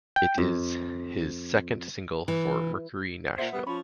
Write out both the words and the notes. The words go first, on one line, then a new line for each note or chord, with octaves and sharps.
It is his second single for Mercury Nashville.
G5
F2
E3
A#2 C5 E5 F#5
G3 B3
F3 C#4 B5